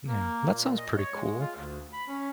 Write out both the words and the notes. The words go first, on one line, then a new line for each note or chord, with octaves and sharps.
Yeah. Well, that sounds pretty cool.
A#3
A#2
D#5
C#5
G#3
F4
D2
B5
C#4